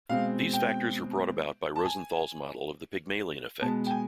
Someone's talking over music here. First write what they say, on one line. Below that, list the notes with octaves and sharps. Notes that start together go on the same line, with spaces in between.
These factors were brought about by Rosenthal's model of the Pygmalion effect.
B2 G#3 C4 F5
G5
A5
G#5
B2 G#3 B3 A5
G5
G#5